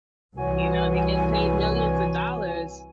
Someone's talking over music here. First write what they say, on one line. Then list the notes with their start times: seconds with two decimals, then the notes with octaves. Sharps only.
you know, they get paid millions of dollars
0.37 C2 E3 F#4 C#5 G#5